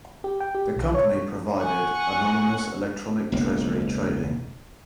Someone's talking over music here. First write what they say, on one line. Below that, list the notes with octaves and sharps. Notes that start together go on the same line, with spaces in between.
The company provided anonymous electronic Treasury trading.
G4
G5
G4
B1
C#5
F#5 G#5 C#6
E1 C#2 A#3